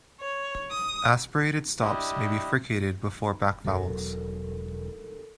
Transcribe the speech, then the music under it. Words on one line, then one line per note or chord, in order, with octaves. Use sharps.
Aspirated stops may be fricated before back vowels.
C#5
D#6
D4 E4 G4 D#5
E1 F#3 A4 A#4